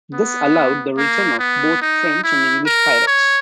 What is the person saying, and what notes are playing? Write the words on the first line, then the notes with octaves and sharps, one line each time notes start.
This allowed the return of both French and English pirates.
B3
A#3
B3
D#4
E4
A#4
C#5